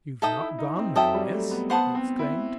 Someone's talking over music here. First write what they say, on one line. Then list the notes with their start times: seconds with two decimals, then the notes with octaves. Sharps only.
"You've not gone, then, miss?" he exclaimed.
0.22 D#4 A4 E5 G5 D#6
0.40 E4
0.59 D#4
0.77 C4
0.96 F#3 A4 E5 G5 D#6
1.15 G3
1.33 A3
1.51 B3
1.70 B3 C5 F#5 A5 D#6
1.95 C4
2.19 E4